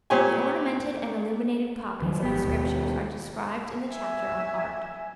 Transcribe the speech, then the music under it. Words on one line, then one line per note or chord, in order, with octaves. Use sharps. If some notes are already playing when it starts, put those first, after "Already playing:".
The ornamented and illuminated copies of the Scriptures are described in the chapter on Art.
A#2 C4 G4 C#5 G#5
D#3 F3 F#3
G#1 B3 G4
D#2 B2
E5 G#5